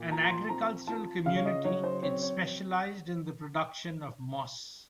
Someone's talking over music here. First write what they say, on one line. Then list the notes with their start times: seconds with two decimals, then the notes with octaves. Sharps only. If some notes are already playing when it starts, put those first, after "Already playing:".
An agricultural community, it specialised in the production of moss.
Already playing: A#2
0.12 F3 A#5
0.25 A#5
0.30 C6
0.49 C4 A#5
0.87 F4 A5
1.26 C#3 F5
1.36 C#5
1.45 D#5
1.64 F#3 C#5
1.83 C5
2.02 C4 C#5
2.22 C#5